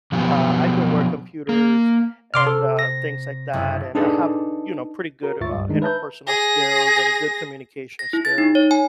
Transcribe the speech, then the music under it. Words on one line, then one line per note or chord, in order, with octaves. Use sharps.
Uh, I could work computers and, uh, things like that and I have, you know, pretty good, uh, interpersonal skills and good communication skills.
B2 F3 F#3 B3 G4
A#3
C3 C6 D6 F6
A4
A#6
F#1 E4 D#5
D4 D#4 G#4 A4 B4 D5
F#4 A#4 A#5
D2 G#2 F4 E5 C#6 A6
C#2 G2 G3
D#3 G#3 A3 D4 D#4
B4 E5 A5 A#5 G6
G#4 A#6
A#6
E4
A6
D#4
C#5
G#5